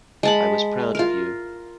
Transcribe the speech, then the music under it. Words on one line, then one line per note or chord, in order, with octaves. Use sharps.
I was proud of you.
G#3 A5 B5
F4 A#4